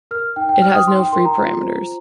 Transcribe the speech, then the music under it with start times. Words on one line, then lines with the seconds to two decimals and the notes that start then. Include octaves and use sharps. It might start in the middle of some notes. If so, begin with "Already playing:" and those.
It has no free parameters.
0.11 A#4 F6
0.36 D#4 G5
0.49 G5
0.62 C5 F6
0.75 D#6
0.87 D#4 C6
1.00 G5
1.12 A#4 C6
1.25 A#5
1.38 F4 A#5
1.63 C5